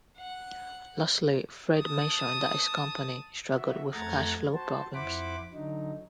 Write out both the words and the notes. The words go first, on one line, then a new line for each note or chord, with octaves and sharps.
Lastly, Fred mentioned that his company struggled with cash flow problems.
F#5
A5 D#6
F#4 E5
F2 A3 F#5 A#5 G#6 A6
F#4 C5 A5
F2 E4 C5 F#5 B5 D6
D3 F#3 D#4